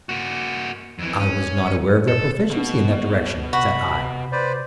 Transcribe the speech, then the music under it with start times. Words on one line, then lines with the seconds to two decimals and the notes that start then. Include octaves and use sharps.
"I was not aware of their proficiency in that direction," said I.
0.09 A#3 F#4
0.99 F2 E3
1.20 C#4
2.08 A4
2.51 B2 A#3
3.53 C3 F#4 B5
4.32 B4 C5 D5